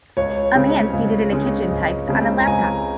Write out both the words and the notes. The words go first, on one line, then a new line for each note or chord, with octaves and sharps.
A man seated in a kitchen types on a laptop.
C#2 C#5
C#3 G#3 C4
C#2
C#3 G#3 C4
C#2
C#3 G#3 C4
A#5
C#2 G#5